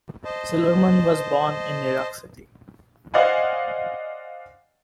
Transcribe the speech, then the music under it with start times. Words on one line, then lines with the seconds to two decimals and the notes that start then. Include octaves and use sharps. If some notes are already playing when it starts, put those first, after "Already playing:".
Silverman was born in New York City.
0.25 C5 D#5 A5
3.14 C5 D5 D#5 F5 F#5 G#5